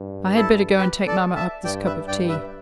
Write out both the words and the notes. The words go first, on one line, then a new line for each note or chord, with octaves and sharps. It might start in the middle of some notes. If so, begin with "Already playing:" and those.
'I had better go and take mamma up this cup of tea.
Already playing: G2
E4 A4
G4 B4
A4 D5
E5 A5
G2 D5 G5
B4 E5
G2 D5 G5
B4 E5